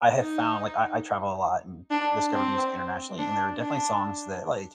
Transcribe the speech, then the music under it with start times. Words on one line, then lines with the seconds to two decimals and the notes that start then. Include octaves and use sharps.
I have found like, I I travel a lot and discover music internationally, and there are definitely songs that like
0.19 D#4
1.91 D4
2.33 C4
3.19 D4
3.61 D4